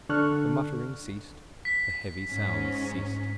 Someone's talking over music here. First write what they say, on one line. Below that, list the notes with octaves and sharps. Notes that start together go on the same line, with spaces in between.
The muttering ceased; the heavy sounds ceased.
D3 D4 A4 C#6 F6 F#6
B6
G#2 C#4